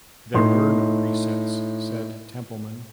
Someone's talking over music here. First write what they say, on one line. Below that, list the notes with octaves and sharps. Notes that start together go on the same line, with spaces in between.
"There were no presets," said Templeman.
A2 D#4 C6